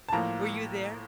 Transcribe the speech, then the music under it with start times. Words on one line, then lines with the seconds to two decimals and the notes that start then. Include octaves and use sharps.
Were you there?
0.09 A5
0.13 A2 F3 A#3 A#5